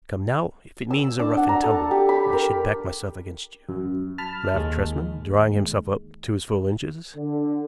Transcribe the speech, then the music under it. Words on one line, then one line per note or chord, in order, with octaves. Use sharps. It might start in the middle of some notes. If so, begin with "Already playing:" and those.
"Come, now, if it means a rough-and-tumble, I should back myself against you," laughed Tresman, drawing himself up to his full inches.
E6
D4
F#5
A#5
A4
G4
B5
A#4
F#2
A5 B5 F6
D#2 G#3
D3